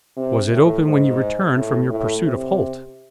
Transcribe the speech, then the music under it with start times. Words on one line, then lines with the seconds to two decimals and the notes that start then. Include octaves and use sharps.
'Was it open when you returned from your pursuit of Holt?'
0.17 C3
0.52 A2
0.86 G#2
1.56 A2
1.90 A2
2.25 C3